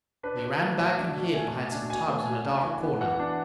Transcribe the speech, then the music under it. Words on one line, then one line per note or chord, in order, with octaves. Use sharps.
We ran back and hid behind some tubs in a dark corner.
D4 B4
B2
A3
B2 E5
D4
B2
A3 G#5
B2
D4
B2 G#5
A3
B2
D4
E3
B3
E3 F#5
D4